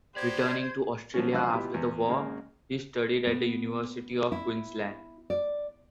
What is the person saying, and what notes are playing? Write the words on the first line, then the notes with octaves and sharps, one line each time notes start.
Returning to Australia after the War, he studied at the University of Queensland.
B3 G4 C5 D5 G#6
F3 F#3 C#4
C2 G2 F3 F5 E6 F#6
B2 E4 F4 G4
E2
G#1 C#3 G#3 A#3 A#4
B3
E4
D5